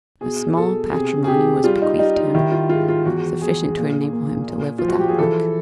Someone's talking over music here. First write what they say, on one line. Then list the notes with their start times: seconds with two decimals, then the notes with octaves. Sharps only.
A small patrimony was bequeathed him, sufficient to enable him to live without work.
0.21 B2 G#4
0.57 B2 A4
0.92 C3 G#4
1.24 G#4
1.27 C3 G4
1.64 G3 F4
1.82 D#4
1.99 G3 D#4
2.16 D#4
2.34 D#3 E4
2.52 F4
2.69 G#2 F4
2.88 F4
3.05 E2 F#4
3.41 E2 G#4
3.77 A#2
4.13 A#3
4.48 A#2
4.79 F3 F4
4.88 F#4
4.99 G4
5.08 G#4
5.18 E3 A4